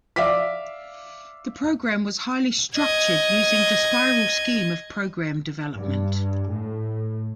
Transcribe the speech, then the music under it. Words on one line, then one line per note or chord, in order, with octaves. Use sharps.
The program was highly structured using the spiral scheme of program development.
D5 E5 F5 D6 B6
D#5 G#6
G2
A2